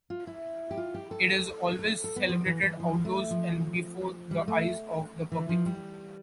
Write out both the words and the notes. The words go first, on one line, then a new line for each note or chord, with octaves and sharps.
It is always celebrated outdoors and before the eyes of the public.
F4
E4
G4
F4
G4
A4
A4
A4
B3
F3
E3
E3
F3
A3
F3
G3
A3
E3
F3
G3